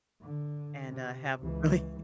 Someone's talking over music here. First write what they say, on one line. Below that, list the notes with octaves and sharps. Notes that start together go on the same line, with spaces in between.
and, uh, have a really
D3
C3
C#2 E3